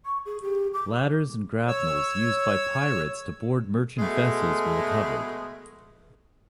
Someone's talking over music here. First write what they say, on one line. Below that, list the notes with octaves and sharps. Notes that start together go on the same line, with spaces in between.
Ladders and grapnels used by pirates to board merchant vessels were recovered.
C#6
G#4
G4
D6
C#5 E6
B2 G#3 A3